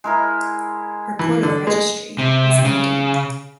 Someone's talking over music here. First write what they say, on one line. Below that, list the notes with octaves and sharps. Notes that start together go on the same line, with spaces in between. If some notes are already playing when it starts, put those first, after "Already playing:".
Her port of registry was Emden.
G#3 E4 A#4
E3
D3
G#3
C3
C#3